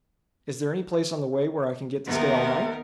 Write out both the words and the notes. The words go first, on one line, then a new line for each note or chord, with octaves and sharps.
"Is there any place on the way where I can get to stay all night?"
D#2 C3 B3 D#4 A#4